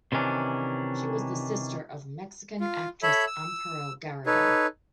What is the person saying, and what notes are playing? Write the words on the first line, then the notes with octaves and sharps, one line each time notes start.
She was the sister of Mexican actress Amparo Garrido.
C3 D#3 E3 C#4 D4
F4
A4 C#5 E5 B5
E6
D#4 A4 B4 C#5